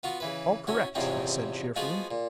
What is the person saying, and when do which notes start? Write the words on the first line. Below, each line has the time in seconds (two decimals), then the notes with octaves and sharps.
"All correct," I said cheerfully.
0.03 B3 F4 F#4
0.20 C#3 E3 B4
0.67 C#4 E4 F#4
0.95 E2 G#2 C3 F3 C4 C#4
1.76 F3 G#3 B3 F4 F#4 G#4
2.11 A#2